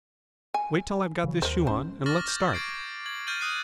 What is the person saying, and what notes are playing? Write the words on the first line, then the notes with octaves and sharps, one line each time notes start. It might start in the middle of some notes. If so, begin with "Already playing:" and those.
Wait till I've got this shoe on, and let's start.
G#5
C#3 E3 F#3
D#2 A#4 C5
D#1 C#4 C5
C#6 D6 F6 A6 A#6 F#7
G6
D6 G#6 C7 D7
G#6 F#7
F6 G6 A6 D#7 F#7
D#6 F#6 C7 D#7